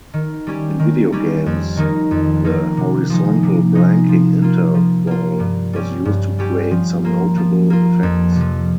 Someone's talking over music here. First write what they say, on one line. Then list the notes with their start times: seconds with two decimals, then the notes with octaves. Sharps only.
In video games, the horizontal blanking interval was used to create some notable effects.
0.14 D#3
0.47 G3 C#4 G4
0.79 D#3
1.12 G3 C#4 G4
1.46 F2
1.77 D#3 A#3 D#4
2.11 F2
2.45 D#3 A#3 D#4
2.77 C3
3.10 F3 G#3 D#4
3.43 C3
3.75 F3 G#3 D#4
4.09 F3
4.42 A#3 F4
4.75 F3
5.07 A#3 F4
5.39 G2
5.73 G3 C#4 G4
6.05 G2
6.39 G3 C#4 G4
6.71 F3
7.05 A#3 F4
7.38 F3
7.70 A#3 F4
8.03 F2
8.36 C3 F3